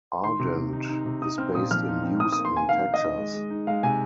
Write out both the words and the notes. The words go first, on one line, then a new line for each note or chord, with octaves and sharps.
Ardent is based in Houston, Texas.
D#3 C6
C3
C3
D#4
D#4
C3
D#4 D#6
C4 F6
A#2 D#6
F3 F6
D#4
C4
D#4 D#6
A#3 D#6
C6
A#3 G#5
D#3 F5
D#4
D#5
D#3
G#3
G#3
D#4
G#3 F5
C3 G#5